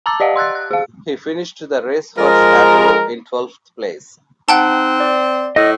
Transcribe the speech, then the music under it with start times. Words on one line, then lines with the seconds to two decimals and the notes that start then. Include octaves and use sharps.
He finished the race for Scarborough in twelfth place.
0.06 A5 A#5 D6 E6 A6
0.20 G4 D5 D#5 F5 F#5
0.36 C6 E6 F#6 A6
0.55 F#6
0.71 G#4 F5
2.18 F3 G#3 A#4
4.49 C4 D#4 F#5 G5 A5 F#6
5.00 D5
5.56 A2 D#5